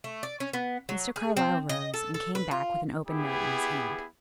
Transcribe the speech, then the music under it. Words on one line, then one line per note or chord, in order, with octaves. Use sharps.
Mr. Carlyle rose, and came back with an open note in his hand.
A3
D5
C#4
B3
F#3
G#4
C4
D#5
A4
A4
B4
F4
B3 E4 G4 G#4